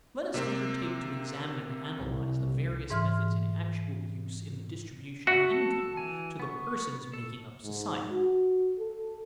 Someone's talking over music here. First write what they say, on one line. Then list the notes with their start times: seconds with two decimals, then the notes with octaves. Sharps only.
Let us undertake to examine and analyze the various methods in actual use in the distribution of income to the persons making up society.
0.34 C3 A#3 C4
2.02 C2
2.90 G#2 E3 C6 F6
5.27 C#3 F#4 E5 C#6
5.51 A4
5.97 E3 G#5
6.40 B3 C#6
7.14 A4
7.64 G#2
8.10 F#4
8.79 A4